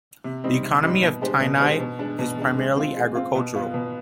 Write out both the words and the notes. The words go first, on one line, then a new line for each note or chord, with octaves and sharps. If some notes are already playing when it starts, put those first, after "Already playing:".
The economy of Tainai is primarily agricultural.
C3
G3 C4 D#4
C3
G3 C4 D#4
B2
G#3 D4 G4 C5
B2
G#3 D4 G4 C5
B2
G#3 D4
B2
G#3 D4
G#3
C4 F4
G#3
C4 F4
B2
B3 F4 B4
B2